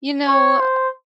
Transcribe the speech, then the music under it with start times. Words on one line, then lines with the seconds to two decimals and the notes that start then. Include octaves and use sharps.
You know, uh,
0.28 C#5
0.60 C5